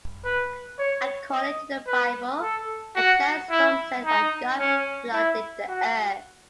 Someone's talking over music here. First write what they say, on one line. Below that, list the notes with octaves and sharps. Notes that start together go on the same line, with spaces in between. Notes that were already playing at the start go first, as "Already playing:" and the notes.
According to the Bible, a giant storm sent by God flooded the Earth.
B4
C#5
D#5
B4
A4
F#4
E4
D#4
C#4
E4
F#4